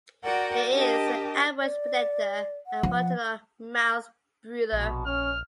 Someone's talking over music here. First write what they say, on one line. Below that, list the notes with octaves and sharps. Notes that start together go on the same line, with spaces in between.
It is an ambush predator and paternal mouthbrooder.
F#4 A#4 D5 F#5 G5
D4 G4 A#4 D#5 A5
D5
F#5
F3
A#1 B2
C#4 F6